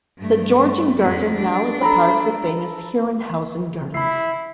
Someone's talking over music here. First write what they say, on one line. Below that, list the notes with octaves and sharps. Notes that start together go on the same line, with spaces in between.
The Georgengarten now is a part of the famous Herrenhausen Gardens.
G2 A3
F2 F3
D4
A4 A#5 B5
E4 B5 C7